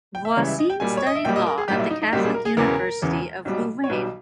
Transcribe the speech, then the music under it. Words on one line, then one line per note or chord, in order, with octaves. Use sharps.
Voisin studied law at the Catholic University of Louvain.
G5
E5
C#2 C#3 E3 G3 C#5
E5
D#5
G5
B1 A#2 G3 G#5
C#5
D#5
E5
B1 A#2 G3 G5
D#5
A#4
G#4
B1 A#2 G3 G4
E4
D#4
D#4
B1 A#2 G3 G4
G#4
A#4
G#4
E1 E2 C#3 E3 A#4
E1 E2 C#3 E3
B1 B2 G3
C#5
B1 B2 G3 B4